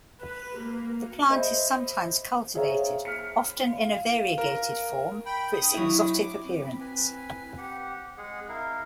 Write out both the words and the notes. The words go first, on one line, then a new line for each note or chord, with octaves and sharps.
The plant is sometimes cultivated, often in a variegated form, for its exotic appearance.
B4
A#3
C5 D#5 E5 B5
G#4 C5 C#5 E5 F5 A#5
F6 B6 C#7
F5
A#4
G5 B5
D#6
F#3 E4
D6
C4
B5
B4 G#5
G4 F#5
G#3 G#4 F#5
E4 A#4 F5